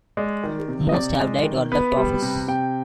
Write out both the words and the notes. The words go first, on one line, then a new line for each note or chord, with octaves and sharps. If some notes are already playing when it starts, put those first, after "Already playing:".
Most have died or left office.
G#3 D5
D#3
C3
D#5
C3 D5
G#3
D#3
B3 B4
G3
C3
C3 G5